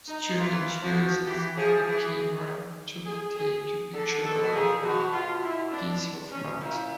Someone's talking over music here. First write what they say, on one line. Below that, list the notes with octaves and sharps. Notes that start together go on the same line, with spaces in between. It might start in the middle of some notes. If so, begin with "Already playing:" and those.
Student uses a camera to take a picture of a piece of art.
D#4
E3 F4
F3 F#4
E3 G4
F3 G#4
E3 G#4
G#4
G#4
D3 A4
B2 A4
B2
A#2 G#4
B2 F#4
F4
E4
D4
C#4
A#2 E4